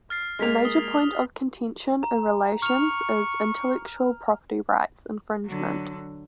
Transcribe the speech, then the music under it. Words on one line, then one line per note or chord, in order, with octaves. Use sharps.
A major point of contention in relations is intellectual property rights infringement.
F6 A6 C7
G#3 A#3 F6 B6 F7
D#6 G7
A#5
C#6 F6 F7
D3 F#3